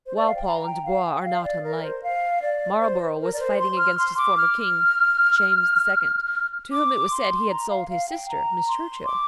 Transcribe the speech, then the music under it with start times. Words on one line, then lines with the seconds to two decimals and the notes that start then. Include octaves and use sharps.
Walpole and Dubois are not unlike. Marlborough was fighting against his former king, James II., to whom it was said he had sold his sister, Miss Churchill.
0.06 C5
0.16 D5
0.26 F5
0.36 G5
0.46 A#5
0.66 G5
0.85 F5
1.05 G5
1.24 F5
1.44 D5
1.64 A#4
1.82 C5
2.03 F5
2.42 D5
2.80 C5
3.20 A#4
3.33 D5
3.40 C5
3.59 C6
3.78 F6
3.98 C6
4.17 D6
4.37 F6
6.72 D6
7.11 C6
7.50 A#5
7.70 F5
7.90 F5
8.09 G5
8.29 A#5
8.68 C6
9.07 D6